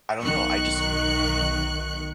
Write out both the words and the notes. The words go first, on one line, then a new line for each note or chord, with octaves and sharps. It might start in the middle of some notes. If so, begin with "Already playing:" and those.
I don't know, I just
B1 D#3 C#6 F#6 C#7